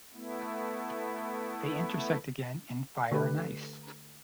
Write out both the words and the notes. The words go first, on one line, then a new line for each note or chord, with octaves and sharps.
They intersect again in "Fire and Ice".
A3 B3 E4
D3 A3 G4 B4